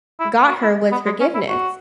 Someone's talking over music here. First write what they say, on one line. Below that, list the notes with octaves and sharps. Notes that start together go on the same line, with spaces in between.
got her was forgiveness.
E4
F#4
E4
B3
G#3
C#4
E4
F#4